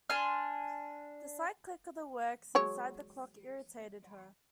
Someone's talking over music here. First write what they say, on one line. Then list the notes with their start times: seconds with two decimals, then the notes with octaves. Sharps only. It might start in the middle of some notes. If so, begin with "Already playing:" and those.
The slight click of the works inside the clock irritated her.
0.10 D4 G#5 C6 F6
2.55 F#3 G#3 C#5